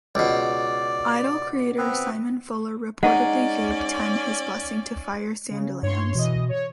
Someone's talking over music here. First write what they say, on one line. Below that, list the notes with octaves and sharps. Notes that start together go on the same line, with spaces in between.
Idol creator Simon Fuller reportedly gave Ten his blessing to fire Sandilands.
C#2 B2 D5
B3 C4 B4
G#3 C#4 D#4 D5 F#5
C#3
G2 C#5 C6
B2 E3 D#5
C#5